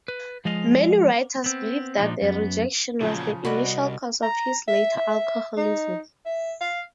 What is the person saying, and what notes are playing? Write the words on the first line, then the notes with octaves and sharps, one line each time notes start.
Many writers believe that the rejection was the initial cause of his later alcoholism.
B4
F3 G#3 D#5 F5
B3 C4
A#2 F3 D4 D#4
F#2 B3
A#2 C#3 F3 F#3
C2 F#4 D5 D#5 B5
A#5
E5
E5
D#4
E5
F5